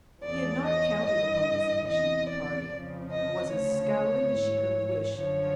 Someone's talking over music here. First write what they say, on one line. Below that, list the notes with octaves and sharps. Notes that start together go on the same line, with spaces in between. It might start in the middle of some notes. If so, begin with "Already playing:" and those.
He had not counted upon this addition to the party, and was as scowling as she could have wished.
E2 C#3 F3 D5
D#5
G2 E3 D#5
E2 C3 E3 D#5
D5
F2 C#3 F3
D#5
D2 C#3 F3 C#5
G#2 E3
F#2 D3 F3 C#5